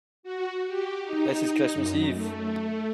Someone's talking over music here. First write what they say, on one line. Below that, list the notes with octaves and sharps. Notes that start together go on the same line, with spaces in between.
This is Christmas Eve.
F#4
G4
D#4
F#2
A3